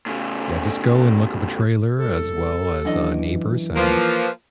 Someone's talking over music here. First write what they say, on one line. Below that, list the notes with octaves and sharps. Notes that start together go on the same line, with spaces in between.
yeah, just go and look up a trailer as well as, uh, Neighbors, and
A2 C#3
C2 A4
F#2 E3 D4 D#5
F3 A#3 B4